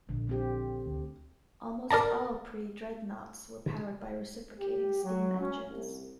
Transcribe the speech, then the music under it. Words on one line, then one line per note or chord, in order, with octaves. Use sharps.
Almost all pre-dreadnoughts were powered by reciprocating steam engines.
A#1 D3
D3 C4 G4
D2
A#4 D5 A5 A#5
G4
F#3
C#4
C2